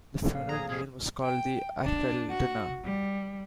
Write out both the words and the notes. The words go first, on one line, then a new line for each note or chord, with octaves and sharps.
The funeral meal was called the Arvel-dinner.
A#1 A2
F5
G#4 A#5
F2 F3 G#4
G5
D4
F#4
G3